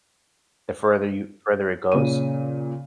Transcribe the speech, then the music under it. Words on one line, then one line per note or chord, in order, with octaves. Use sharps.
the further you further it goes,
A#2 C#3 D#7